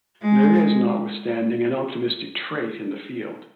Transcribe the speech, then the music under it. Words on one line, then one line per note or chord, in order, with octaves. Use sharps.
There is notwithstanding an optimistic trait in the field.
G#3